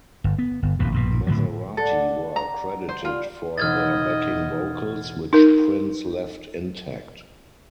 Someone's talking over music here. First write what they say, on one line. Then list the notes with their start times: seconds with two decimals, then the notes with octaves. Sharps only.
Mazarati were credited for their backing vocals, which Prince left intact.
0.24 G1
0.39 B3
0.63 G1
0.79 D#1 A#1 F2 B2
0.92 A#1 G2 B2
1.27 A2 D3 F3 F#3
1.77 D4 A4 D5 F#5
2.36 A#5
2.89 C5
3.05 G3 F4
3.58 E1 D#4 E4 D#5 F6 G#6 A6
5.33 D#4 A#4